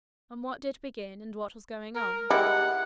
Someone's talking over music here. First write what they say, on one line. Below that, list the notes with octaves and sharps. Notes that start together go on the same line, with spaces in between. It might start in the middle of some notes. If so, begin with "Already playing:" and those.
And what did begin, and what was going on?
A#4
G3 G#3 E4 F#5